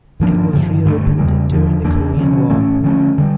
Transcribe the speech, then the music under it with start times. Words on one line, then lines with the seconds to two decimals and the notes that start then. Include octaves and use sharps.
It was reopened during the Korean War.
0.20 G2 F3 A#3 D4
0.53 G2 D3 F3
0.85 G2 D3 A3
1.17 E2 C#3 G3 A#3
1.51 E2 D3 F3
1.84 E2 E3 A#3 D4
2.16 D3 F3 C#4
2.50 A2 E3 A3 C#4
2.83 D3 F3 A3 C#4
3.18 D3 G3